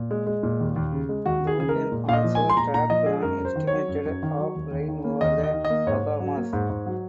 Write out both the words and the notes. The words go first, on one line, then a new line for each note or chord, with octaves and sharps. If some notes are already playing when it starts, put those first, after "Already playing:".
Dorian also dropped an estimated of rain over the Bahamas.
Already playing: A#2
G#3
G#3
A#2
D#2
D#2
C#3
G#3
D#2 F#4
D#2
G#4
C#3 G#4
A#4
G#3
A#2
A#2 F5
D#5
F3
G#5
G#3
C6
A#2 A#5
A#2 A#5
F3 D#5
G#3 G#4
F#2 A#4
F#2 C5
D#3
C#5
F#3
F#2
F#2
D#3
F#3
D#2
D#2
D#3
A#3
D#2 D#5
D#2
D#5
D#3
D#5
A#3
G#2 C#5
G#2
F#3
A#3
G#2
G#2
F#3